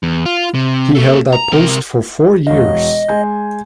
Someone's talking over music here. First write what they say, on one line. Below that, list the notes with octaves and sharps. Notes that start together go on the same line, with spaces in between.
He held that post for four years.
E2
F4
C3
A#3 A4
A#5
C3 A#4
E1 D#5 F5
G#3 G#5 G6